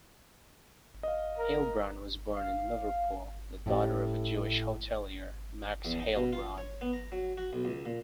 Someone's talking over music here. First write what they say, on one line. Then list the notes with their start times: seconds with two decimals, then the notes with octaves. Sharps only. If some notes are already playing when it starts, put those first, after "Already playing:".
Heilbron was born in Liverpool, the daughter of a Jewish hotelier, Max Heilbron.
1.03 D#5 F5
1.38 A#4
2.36 F5
3.66 A2 C#4 G4
5.85 E2
6.00 D#4
6.15 B2
6.33 F4
6.58 C#5
6.81 B3
6.93 A#5
7.12 F#3
7.38 F#4
7.53 B1
7.65 C#2
7.85 A#2